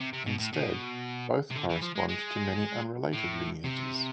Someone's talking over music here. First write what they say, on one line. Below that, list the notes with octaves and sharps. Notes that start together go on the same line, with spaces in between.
Instead, both correspond to many unrelated lineages.
C3
C3
B2
A2
B2
C3
D3
E3
F3
G#3
G#3
A2
C3